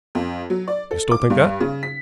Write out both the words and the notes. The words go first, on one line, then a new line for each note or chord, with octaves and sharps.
You still think that?
F2
F#3
D5
A4
D6
G2
C#3
B6